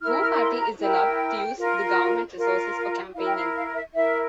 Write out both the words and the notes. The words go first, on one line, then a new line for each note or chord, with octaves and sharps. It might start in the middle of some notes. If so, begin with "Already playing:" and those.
No party is allowed to use the government resources for campaigning.
E4 A#4 F6
F6
C6
A#5
E4 A#4 G5
F4 A#4
F4 A#4
E4 A#4 F5
G5
F5
F5
E5
E4 A#4 E5